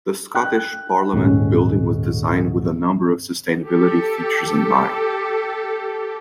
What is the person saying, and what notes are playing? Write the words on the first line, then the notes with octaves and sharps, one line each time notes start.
The Scottish Parliament Building was designed with a number of sustainability features in mind.
G5 F#6
D#1 G#2 C#4
G4 A4